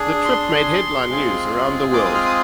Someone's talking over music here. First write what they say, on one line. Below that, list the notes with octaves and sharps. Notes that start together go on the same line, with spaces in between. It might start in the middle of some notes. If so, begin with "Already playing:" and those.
The trip made headline news around the world.
Already playing: D4 G#4
C6
G#3 C4 F4 G#4
D6
D#6
F6
D#6